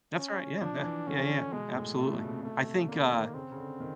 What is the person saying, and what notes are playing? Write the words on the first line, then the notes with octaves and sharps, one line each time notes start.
That's right, yeah, yeah, yeah, yeah, absolutely. I think, uh,
C#4
F3 D4
E3
D3 C#4
B2 G#3
A2
A#2 A3
B2
C#3
C3
B2 A3
C3
D3 A#3
D#3
C#3 C4
C#3
D3
D#3